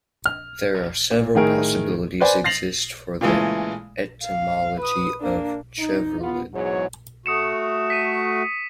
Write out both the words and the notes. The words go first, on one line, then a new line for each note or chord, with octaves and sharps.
There are several possibilities exist for the etymology of "Treverlen".
F6
A#2
A2 D#3 G#4 A#4
B4 C5 D5 G#5
A6 A#6 C7 F7 F#7
A#2 C#3 E3 G#3 A3
F5
B4 D#6
A#3 D4
D#4
B3 F4
E2 G#2 F#3 C#5
A3 F#4 D#6 C#7 E7
B6 D#7